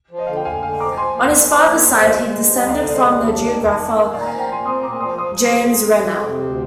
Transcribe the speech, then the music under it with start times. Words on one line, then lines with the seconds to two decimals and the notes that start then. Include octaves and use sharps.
On his father's side he descended from the geographer James Rennell.
0.11 F3
0.18 D#5
0.27 D3 F5
0.36 G5
0.45 D3 F5 G#5
0.63 D3 F5 G#5
0.80 F3 A#5 D6
0.97 F3 G#5 C6
1.15 A#3
1.33 F3
1.50 F3 G#5 C6
1.68 A#3
1.85 F3
1.97 F5
2.02 G#3 C5 D#5
2.21 G#3
2.37 G2
2.55 D#4 D#5 G5
2.68 D3 D5 F5
2.82 D5
2.91 G#3 C5 D#5
3.07 D#2 D5 F5
3.25 D4
3.43 D#3
3.61 D4
3.77 D#3
3.95 D#3
4.12 A#2 D5 F5
4.21 A#5
4.26 F3 F5 G#5
4.39 G5 A#5
4.48 A#2 G#5 C6
4.65 C4 C6 D#6
4.83 A#2 A#5 D6
5.00 F3 C6 D#6
5.18 F3 C6 D#6
5.35 F3
5.52 F2
5.71 F2
5.88 G#3
6.05 F2
6.23 C3
6.41 D2